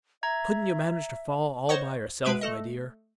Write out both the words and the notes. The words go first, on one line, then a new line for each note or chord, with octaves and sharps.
"Couldn't you manage to fall all by yourself, my dear?"
E5 A#5 G#6
C5 C#5 D#5 F#5 C#6
B2 G#3 B4 E5 D7
A3 A4 D#5